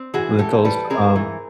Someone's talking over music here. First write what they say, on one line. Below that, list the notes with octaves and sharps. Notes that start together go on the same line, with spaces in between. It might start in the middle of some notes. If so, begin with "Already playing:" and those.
Lentils, um
Already playing: C4
E3 F#4 G#4
E3 G4 A4
G3 A4 B4
C4 G#4 A#4
E3